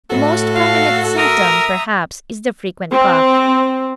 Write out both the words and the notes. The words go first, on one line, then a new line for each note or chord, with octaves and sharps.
The most prominent symptom, perhaps, is the frequent cough.
A2 F#4 A4
F5
A#4 E5 A#5 D#6
C4